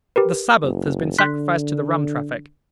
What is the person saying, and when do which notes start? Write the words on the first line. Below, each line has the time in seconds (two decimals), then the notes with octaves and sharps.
The Sabbath has been sacrificed to the rum traffic.
0.16 G4 A#4 B4
0.63 F#1
1.18 D3 C6 F#6 B6